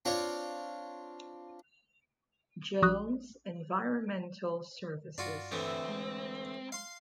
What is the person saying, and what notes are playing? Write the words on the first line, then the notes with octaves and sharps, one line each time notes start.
Jones Environmental Services.
C4 D4 F4 C#5
A#1 F#4 D#6 F#6
G2 D4 F4 F#4
D2 A2 E3 C4
G#3
F5 C6